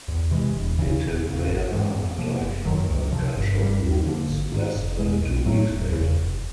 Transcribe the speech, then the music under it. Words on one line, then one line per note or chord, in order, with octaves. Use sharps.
De Tavera died from her gunshot wounds less than two weeks later.
E2
C3 E3 G#3
E1
D2 C#3 E3
E1
E2 C#3
G#1
G#2 E3 G#3
F2
C3 F3 A#3
F#1
F#2 D#3 F#3
C#2
C3 F3
G1
G2 E3 G3
D#2
D3 F3 A#3
G#1
G#2 D#3
F1
E2 B2 G#3
B1
A2 F#3 A3
E1
E2 C#3
F1